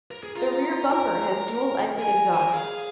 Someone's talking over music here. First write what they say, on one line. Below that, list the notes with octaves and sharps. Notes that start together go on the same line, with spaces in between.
The rear bumper has dual exit exhausts.
A#4
G#4
F4 A#5
A#4 A#5
A#4 G#5
C5
A#4
G#4 F5